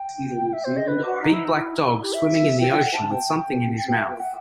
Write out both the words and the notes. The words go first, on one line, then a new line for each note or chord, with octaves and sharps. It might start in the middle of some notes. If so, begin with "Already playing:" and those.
Big black dog swimming in the ocean with something in his mouth.
Already playing: G5
E5
C5
D#5
B4
F#4
D#4
E4
D#4
E4
G4
E5
G5
G5
F#5
A5
G5
G5
E5
G5
F#5